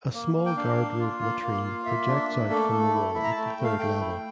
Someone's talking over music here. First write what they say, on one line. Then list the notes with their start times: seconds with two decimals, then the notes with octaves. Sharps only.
A small garderobe latrine projects out from the wall at the third level.
0.14 A#3
0.35 A#3
0.46 G5
0.56 D4 F5
0.77 A#3
1.00 F4
1.21 A#3
1.42 A#3
1.64 F4
1.86 A#3 E5
2.07 D4
2.29 A#3
2.50 A3 A4
2.72 A3
2.93 E4
3.14 E4 E5
3.24 A#5
3.32 A5
3.37 A3
3.47 G5
3.58 A3
3.64 F5
3.79 A3 G5
4.00 E4